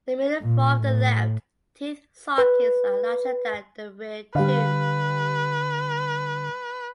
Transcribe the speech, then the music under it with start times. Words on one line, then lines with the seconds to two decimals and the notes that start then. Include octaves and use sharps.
The middle four of the left teeth sockets are larger than the rear two.
0.43 A#2
0.83 A2
2.38 B4
4.35 D3 G3 B4 F5